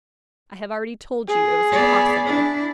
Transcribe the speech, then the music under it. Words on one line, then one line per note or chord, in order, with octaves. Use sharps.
"I have already told you it was impossible."
G#4
B3 D5
D4 E4